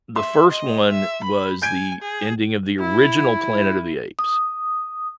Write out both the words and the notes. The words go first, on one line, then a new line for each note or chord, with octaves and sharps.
The first one was the ending of the original Planet of the Apes
E5 C6
D#5
E5
B5
G#5 G6 G#6 D7
G#4
E4
D#6